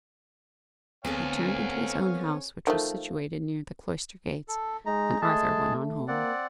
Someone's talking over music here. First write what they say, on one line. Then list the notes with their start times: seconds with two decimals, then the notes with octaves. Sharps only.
He turned into his own house, which was situated near the cloister gates, and Arthur went on home.
1.05 D2 B3 C4 A4 C#5 F5 G#5
2.67 D#3 F3 A3
4.48 A4
4.86 G#3 D#4 A#5
5.22 G#3 A3 G#4 A5
6.08 A#3 C4 D5 F#5